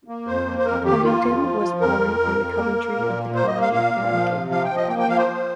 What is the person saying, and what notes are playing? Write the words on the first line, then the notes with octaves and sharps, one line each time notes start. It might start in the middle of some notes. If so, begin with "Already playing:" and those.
Huntington was born in Coventry in the Colony of Connecticut.
A#3
F2 C5
A#3
C5
F2 A#4
D#3 G4
A#3 F4
F2
F3
F3
F2 A#4
F2
F2
F2
A#3
A#3
A#2
A#3
A#3 C5
D#5
A#3
F5
A#2 F5
A#2
F3
C3
F3 F5
G5
F3
D#5
A#3 G5
G5
F3 F5
C5
F3